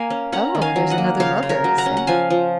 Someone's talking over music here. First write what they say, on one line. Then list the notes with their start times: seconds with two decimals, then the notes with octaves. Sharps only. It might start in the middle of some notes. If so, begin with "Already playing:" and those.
"Oh, there's another lover, is there?"
Already playing: A#3 F5 G#5
0.10 C#4
0.32 C#4 F#5 A#5
0.55 D#3
0.62 F5 G#5
0.76 F#3
0.90 D#5 F#5
0.98 A#3
1.20 C#3 C#5 F5
1.43 C#3
1.49 A#4 C#5
1.64 F#3
1.78 F#5 A#5
1.86 C#4
1.97 F#5
2.07 F3 F5 G#5
2.30 F3